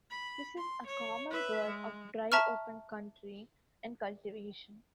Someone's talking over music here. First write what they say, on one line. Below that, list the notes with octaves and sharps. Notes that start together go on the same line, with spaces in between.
This is a common bird of dry open country and cultivation.
B5
C6
C#5
B4 E5
G#3
E5 A5 A#5 C#6 F6